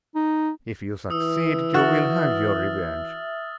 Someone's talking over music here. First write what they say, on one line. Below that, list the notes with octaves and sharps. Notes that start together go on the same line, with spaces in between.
If you succeed, you will have your revenge.
D#4
E3 D#6 E6
F#4 E5 F6 A6 F#7